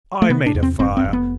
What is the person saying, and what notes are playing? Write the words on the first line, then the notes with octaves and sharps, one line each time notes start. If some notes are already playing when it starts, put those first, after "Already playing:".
I made a fire.
A3
C3 B3
D4
E2
C4
F1 C4
C4
F1
B3